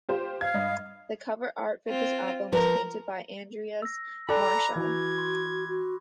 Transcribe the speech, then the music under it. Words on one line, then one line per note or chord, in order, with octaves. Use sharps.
The cover art for this album was painted by Andreas Marschall.
F4 G4 C5
F5 G#6
G2 D#5
C4 F4
F3 A#4 B4
E6 A#6
A4 D5 G5 A#5 B5 D6 F#6
E3 F#4 G#6
C6
F#4